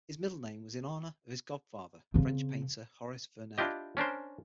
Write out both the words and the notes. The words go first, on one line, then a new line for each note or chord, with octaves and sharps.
His middle name was in honour of his godfather, French painter Horace Vernet.
C#3 C4
D4 E4 F4 G4 D#5
C#4 D4 A#4 C5